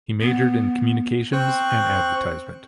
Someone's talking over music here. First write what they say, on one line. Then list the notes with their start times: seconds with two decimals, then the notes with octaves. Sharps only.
He majored in communications and advertisement.
0.21 B3
1.33 C4 C5 C#6 F#6